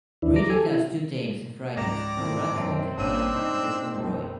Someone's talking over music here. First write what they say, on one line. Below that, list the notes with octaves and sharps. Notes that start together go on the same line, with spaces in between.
Regia has two teams of riders: "The Radfolc" and "The Conroi".
D#2 E3 D4 E4
A#5 D6
G4 A4 G#5
E4
C#2 G#2 D5 A#5 D6 A#6 E7
A2 D#3 F3 C4
F#2 B2 D7
G#1 G2 C#4 D4 E6 D#7
D#4
F#1 C#2 B2